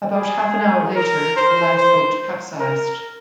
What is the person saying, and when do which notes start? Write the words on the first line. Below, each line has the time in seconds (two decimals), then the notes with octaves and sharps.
About half an hour later the lifeboat capsized.
0.13 G#4
0.96 A#4
1.36 C5
1.77 C5
2.60 A#4